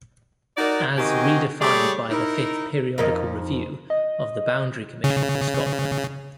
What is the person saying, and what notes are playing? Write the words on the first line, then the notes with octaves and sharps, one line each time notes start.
As redefined by the Fifth Periodical Review of the Boundary Commission for Scotland.
D#4 F#4 A#4 D5
D#3 C4 F#4 G4 D#5 G#5
G3 A3 G4 G#4 C#5 D5
D#4 E4 A#4
F2 A#3 D#4
D#5
C#3